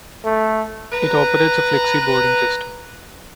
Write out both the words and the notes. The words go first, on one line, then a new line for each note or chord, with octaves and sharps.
It operates a flexi-boarding system.
A3
B4 A#5